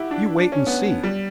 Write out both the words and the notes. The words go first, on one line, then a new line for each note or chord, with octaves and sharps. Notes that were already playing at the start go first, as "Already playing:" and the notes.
You wait an' see.
Already playing: E4 F#4 G4
D4
D4
C#4
B3
G3